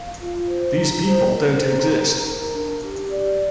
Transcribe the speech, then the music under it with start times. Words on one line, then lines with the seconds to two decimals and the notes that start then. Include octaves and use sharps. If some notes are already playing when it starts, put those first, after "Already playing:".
These people don't exist!
Already playing: F5
0.19 F4
0.47 C5
0.77 A#5
1.05 C5
1.34 C5
1.65 A#5
1.94 A#5
2.22 A#4
2.52 D4
2.80 G4
3.10 D5